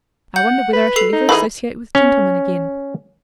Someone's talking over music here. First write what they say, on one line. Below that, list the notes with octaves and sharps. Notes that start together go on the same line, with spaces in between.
I wonder whether I shall ever associate with gentlemen again?
F#5 G6
B4
A4 C7 F7
D#4
E3 G4 G#4 B5
C#4